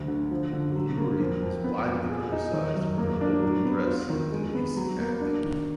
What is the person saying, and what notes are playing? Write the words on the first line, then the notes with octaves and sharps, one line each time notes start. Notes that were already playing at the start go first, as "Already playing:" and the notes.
Mayuri was widely criticized for her open dress and indecent acting.
Already playing: D2 F#3
D3
F3
D3
F#3
A#3
F2
F2
B3
A#2
G#4
D#4
D#3
F#2
A#3
D4
F#3
B3
F4
D#3
G#3
B3
F#3
A#3
D4
D#3